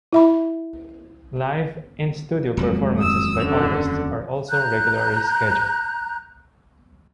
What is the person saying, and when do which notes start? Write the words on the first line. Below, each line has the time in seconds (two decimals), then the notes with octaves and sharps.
Live, in-studio performances by artists are also regularly scheduled.
0.12 E4 E5 B5
2.57 D#1 F2 F#3 G#3
2.99 D#6 E6
3.40 D3 C#4
4.49 A#5 F#6 G6